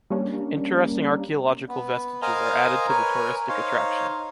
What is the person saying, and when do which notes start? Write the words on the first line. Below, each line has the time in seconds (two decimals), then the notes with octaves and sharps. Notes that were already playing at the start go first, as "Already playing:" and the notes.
Interesting archeological vestiges are added to the touristic attraction.
0.10 G3 A#3 C#4 D4
1.69 B3
2.22 A#4 C5 D#5 F5 G#5 A#5
2.89 A#4 B4 C#5 G#5
3.49 D#4 C5 C#5 F5